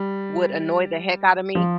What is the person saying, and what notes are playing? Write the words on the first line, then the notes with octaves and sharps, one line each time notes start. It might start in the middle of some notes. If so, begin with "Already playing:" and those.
would annoy the heck out of me.
Already playing: G3
F3